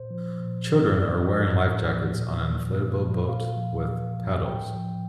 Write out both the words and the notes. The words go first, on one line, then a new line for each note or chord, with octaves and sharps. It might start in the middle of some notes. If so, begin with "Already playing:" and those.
Children are wearing lifejackets on an inflatable boat with paddles.
Already playing: A#2 C5
F3
A#2
F3
A2 D5
F3
A2
F3
A#2
F3
A#2
F3
A#2 F5
F3
A#2
F3
A2 G5
F3